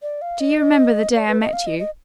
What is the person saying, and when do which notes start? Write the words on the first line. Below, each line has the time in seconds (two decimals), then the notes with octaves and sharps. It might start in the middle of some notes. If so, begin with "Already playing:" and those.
Do you remember the day I met you?
0.02 D5
0.22 F5
0.40 D#5
1.15 D5
1.28 B4
1.41 D#5
1.53 F5
1.67 D#5
1.79 D#5